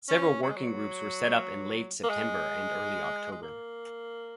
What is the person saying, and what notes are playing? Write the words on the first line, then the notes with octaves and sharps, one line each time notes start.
Several working groups were set up in late September and early October.
C#4
F#3
G#3
F#3
A#3
G#3
G#3
A#3